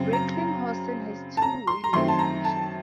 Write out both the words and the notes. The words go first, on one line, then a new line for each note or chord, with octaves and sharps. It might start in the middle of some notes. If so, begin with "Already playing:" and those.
Recklinghausen has two railway stations.
Already playing: F#2 C#3 F#3 C4
A#5
A5
A#5
C6
A#5
F#2 D#3 A3 C4 C6
A5
A#5
A5